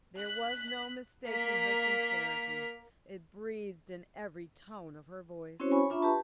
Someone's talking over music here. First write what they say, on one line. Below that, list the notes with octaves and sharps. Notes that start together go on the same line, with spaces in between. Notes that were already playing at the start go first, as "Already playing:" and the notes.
There was no mistaking her sincerity--it breathed in every tone of her voice.
F#6 B6
A#3 A#4 F6 B6
C4 C#4 E4 F#4 C5 C#5
C#5 G#5 B5 C#6
D4 F4 E5 A#5 B5 C#6
G4 B4 A5